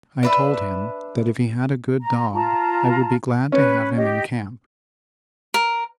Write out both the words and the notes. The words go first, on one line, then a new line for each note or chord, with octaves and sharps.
I told him that if he had a good dog I would be glad to have him in camp.
D4 B4 E5
A#5
F4 A5 A#5
C#4 B4
G4 D#5
A#4